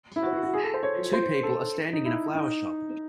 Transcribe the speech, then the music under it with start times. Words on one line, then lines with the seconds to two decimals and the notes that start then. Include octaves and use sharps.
Two people are standing in a flower shop.
0.16 E4
0.23 F#4
0.33 F#4
0.43 F#4
0.53 G#4
0.64 A4
0.74 C5
0.83 C#5
1.13 C5
1.43 A4
1.93 D#4
2.05 E4
2.35 D#4